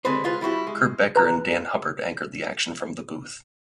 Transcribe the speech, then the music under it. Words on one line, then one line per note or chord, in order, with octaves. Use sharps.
Kurt Becker and Dan Hubbard anchored the action from the booth.
D3 G3 G#3 C4 B4 C5
G#3 F4 B4
G3 E4 F#4 G4
G#3
B4 A#5 F#6